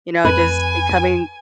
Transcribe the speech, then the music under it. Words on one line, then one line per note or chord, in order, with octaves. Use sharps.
you know just becoming
F2 B4 G#5